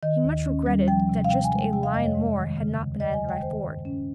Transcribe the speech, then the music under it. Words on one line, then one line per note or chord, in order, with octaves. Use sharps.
He much regretted that just a line more had not been added by Ford.
D#3 D#5
D#2
C#4
G3
F3 G5
C3
F5
C3 G5
G#5
G#3
G5
C3 G5
F5
F2 D#5
C#5
G#3
D#3
C#3
D#2
D#2 D#5
G#5
G#3
G5
D#3 C5
G2
C#4